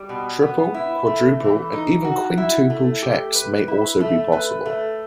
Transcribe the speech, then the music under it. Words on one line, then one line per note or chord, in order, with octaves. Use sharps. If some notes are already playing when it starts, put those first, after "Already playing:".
Triple, quadruple and even quintuple checks may also be possible.
Already playing: G3
B2
B3
E4
A3
E3
D#4
F#4
E4
A3
G4
B4
E4
A3
B4
A3